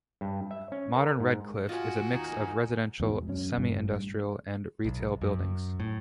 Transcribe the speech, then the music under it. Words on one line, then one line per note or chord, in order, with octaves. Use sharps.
Modern Redcliffe is a mix of residential, semi-industrial and retail buildings.
G2
E5
C#4
A#4
G#2
F4 F#4 D#5 G#5
D#2 A#3 D#4 G#5
E2 G#2 B2
F#2 C#4
A1 G2
B1
F#2
A2